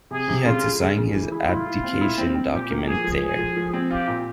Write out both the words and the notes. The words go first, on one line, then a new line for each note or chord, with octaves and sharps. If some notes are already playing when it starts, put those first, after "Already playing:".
He had to sign his abdication document there.
C3 G#4
C3
C#3 F4
C#3
C#3
C#3
E3
E4
E4 F4
E4
C4
E4
C4
C4
A#2 G4
A#3
F3 G#4
F3
F3 G#4
F3
F3
C4
F4 G4
A#2